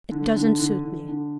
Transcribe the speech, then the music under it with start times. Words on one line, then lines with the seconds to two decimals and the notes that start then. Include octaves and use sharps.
It doesn't suit me.
0.11 D3
0.36 D3
0.59 D3
0.83 D3
1.08 D3